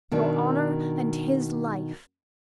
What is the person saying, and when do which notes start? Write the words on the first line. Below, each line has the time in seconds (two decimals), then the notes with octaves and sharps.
Your honor and his life!
0.11 B2 D#3 D4